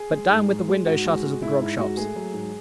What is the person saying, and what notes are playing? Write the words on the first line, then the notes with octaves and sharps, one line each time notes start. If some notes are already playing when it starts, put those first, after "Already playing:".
But down with the window-shutters of the grog shops.
Already playing: G#4
G#3
G#2
G#2
G#3
G#2 F#4
G#3
G#3
G#2 E4
G#2 E4
G#3 F#4
A3 G#4
F#3
G#2